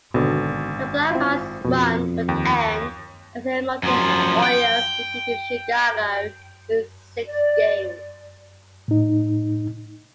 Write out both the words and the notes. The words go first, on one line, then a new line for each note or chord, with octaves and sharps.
The Blackhawks run would end, as the Edmonton Oilers defeated Chicago in six games.
G#1 B2 D3
C4 E4 F4
F2 B2
D#2 G5
F#2 F3
G5
D5
A2 D#4